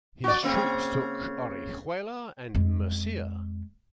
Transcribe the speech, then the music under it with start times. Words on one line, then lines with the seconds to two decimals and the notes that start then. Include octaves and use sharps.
His troops took Orihuela and Murcia.
0.24 F#4 D5
0.43 C#3 A#3 C4
2.55 F2 G#3